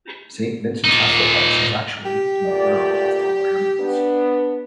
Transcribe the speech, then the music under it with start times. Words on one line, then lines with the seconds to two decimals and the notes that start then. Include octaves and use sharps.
'Saint Vincents Halfway House' was actually in the borough of Tower Hamlets.
0.84 A#2 D#4
2.05 G4
2.46 D2 A#2 D5
3.80 B3 D4